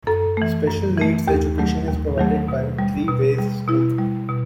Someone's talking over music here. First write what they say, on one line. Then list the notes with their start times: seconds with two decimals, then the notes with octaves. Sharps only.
Special needs education is provided by Three Ways School.
0.07 F#2 A4
0.37 E3 A3
0.67 F#2
0.97 E3 A3
1.27 D#2 G4
1.58 D#3 F#3 A3
1.88 D#2
2.18 D#3 F#3 A3
2.48 B2
2.79 G3
3.08 B2
3.38 G3
3.68 B2 E4
3.99 G3
4.29 B2